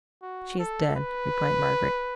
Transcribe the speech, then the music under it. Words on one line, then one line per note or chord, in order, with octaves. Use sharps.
'She is dead,' replied Margaret.
F#4
A4
B4